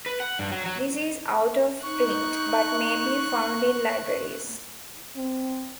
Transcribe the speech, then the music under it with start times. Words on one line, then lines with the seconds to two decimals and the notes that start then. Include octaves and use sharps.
This is out of print but may be found in libraries.
0.06 B4
0.20 F#5
0.39 G2
0.51 F#3
0.66 F#3
1.83 D#4 C#6 F#6
5.16 C4